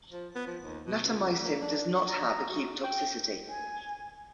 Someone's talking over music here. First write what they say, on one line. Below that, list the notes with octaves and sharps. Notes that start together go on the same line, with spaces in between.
Natamycin does not have acute toxicity.
F3
B3
F3
D#2
B2
C#2
A#3
D4
A#5
F#4
G5
G#5